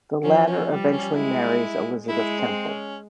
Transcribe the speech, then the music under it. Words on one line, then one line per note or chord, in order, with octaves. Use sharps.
The latter eventually marries Elizabeth Temple.
F3 C#4
C#4
G3
C#4
G#3 E4
G#3 E4
C4
C#4